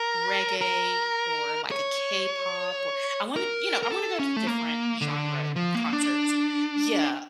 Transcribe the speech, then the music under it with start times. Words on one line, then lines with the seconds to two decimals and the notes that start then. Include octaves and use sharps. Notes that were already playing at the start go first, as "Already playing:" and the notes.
reggae or, like, a K-pop or I wanna you know, I wanna go to different genre concerts Yeah.
Already playing: A#4
0.61 A#4
1.71 C#5
3.36 A#4
3.83 A#4
3.91 A4
4.19 C#4
4.36 A3
4.47 A#3
5.01 D3
5.56 F3
5.75 A#3
5.93 D4